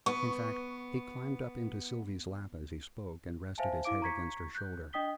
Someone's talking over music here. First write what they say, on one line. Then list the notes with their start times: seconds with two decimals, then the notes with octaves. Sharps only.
In fact, he climbed up into Sylvie's lap as he spoke, and rested his head against her shoulder.
0.06 B3 C#6
3.58 C5 E5 F5 G#5 A5
3.84 E4 F5 D6 D7
4.02 A#5 C#6 G#6 B6 C#7
4.55 F#6 G6
4.93 D4 D#5 G5 D#6 B6 G7